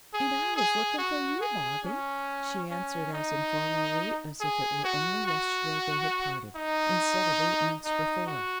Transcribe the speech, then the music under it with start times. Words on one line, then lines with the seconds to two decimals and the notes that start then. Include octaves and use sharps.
"And I was looking for you, Bobby," she answered, as informally as if it were only yesterday they had parted, instead of eight months before.
0.14 G#4
0.56 G#4
0.98 F#4
1.41 G#4
1.85 C#4
2.70 C#4
3.13 D#4
4.41 G#4
4.84 F#4
5.27 F#4
6.56 D#4
7.85 D#4
8.27 F#4